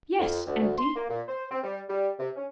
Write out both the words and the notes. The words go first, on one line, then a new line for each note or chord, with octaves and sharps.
'Yes, empty.
F2
D2
D2
C6
A#3
A#2
C5
C4
G3
G3
C3
C#4